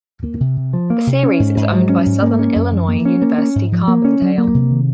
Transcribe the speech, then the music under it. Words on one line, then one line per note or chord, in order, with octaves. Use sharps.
The series is owned by Southern Illinois University Carbondale.
A#3
C3
C3
F3
A#3
C3
C#4
G#2
G#2
F#3
C#4
G#2
A#3
C#4
F#2
F3
A#3
C#4
A#3
C#4
G#2
F3
A#3
C#4
F#3
A#3
C3
D#3